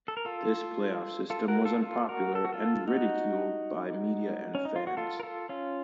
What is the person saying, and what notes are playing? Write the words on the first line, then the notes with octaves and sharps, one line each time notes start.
This playoff system was unpopular and ridiculed by media and fans.
A4
A#4
F4 A4
F4 A4
F#4 A#4
F4 A4
F4 A4
F#4 A#4
A4
F#4
F4 A4
D#4 F#4
C#4
D#4
F4
F#4
F4 A4
A#4
F4 A4
C#4 F4